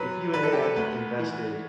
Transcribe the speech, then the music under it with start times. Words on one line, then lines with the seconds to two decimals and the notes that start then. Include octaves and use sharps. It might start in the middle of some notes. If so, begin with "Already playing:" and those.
if you had had invested
Already playing: F#2 F#3 B4
0.33 D3 B4
0.43 A4
0.53 G4
0.62 A4
0.76 D2 B4
1.20 E3